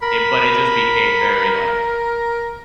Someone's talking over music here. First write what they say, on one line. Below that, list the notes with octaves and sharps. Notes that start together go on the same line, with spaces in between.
It but it just became very, like,
A#4 B5